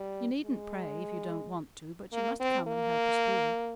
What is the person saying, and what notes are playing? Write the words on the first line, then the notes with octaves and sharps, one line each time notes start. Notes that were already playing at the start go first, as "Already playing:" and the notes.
"You needn't pray if you don't want to, but you must come and help us through."
Already playing: G3
G#3
A#3
C4
A#3